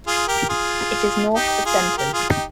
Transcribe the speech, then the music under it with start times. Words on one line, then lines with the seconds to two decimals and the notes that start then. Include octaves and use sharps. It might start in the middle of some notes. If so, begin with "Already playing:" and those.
It is north of Denton.
0.07 F4 G#4
0.28 G4 A#4
0.49 F4 G#4
1.34 D#4 G4
1.65 F4 G#4
1.97 G4 A#4
2.13 F4 G#4
2.29 D#4 G4